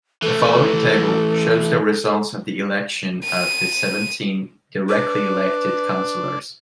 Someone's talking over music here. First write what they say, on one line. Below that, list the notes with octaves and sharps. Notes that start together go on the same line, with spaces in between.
The following table shows the results of the election of the seventeen directly-elected councillors.
E3 A3 A4
D#7
D4 B4